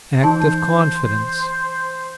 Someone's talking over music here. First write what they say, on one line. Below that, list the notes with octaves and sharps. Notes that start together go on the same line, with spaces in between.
Act of Confidence.
E3 D#4 C5 A5